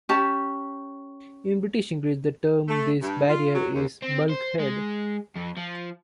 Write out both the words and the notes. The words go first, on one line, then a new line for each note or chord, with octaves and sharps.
In British English, the term for this barrier is bulkhead.
C#4 G4 A5
A3
G2
F4
F#3
D#2
C4
C5
G#3
F2
F3